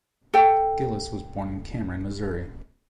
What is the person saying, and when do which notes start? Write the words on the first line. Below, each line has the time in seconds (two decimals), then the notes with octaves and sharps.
Gillis was born in Cameron, Missouri.
0.34 A4 G5